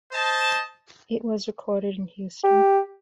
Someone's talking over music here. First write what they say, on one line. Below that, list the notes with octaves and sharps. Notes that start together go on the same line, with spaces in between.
It was recorded in Houston.
C5 D#5 A5
G4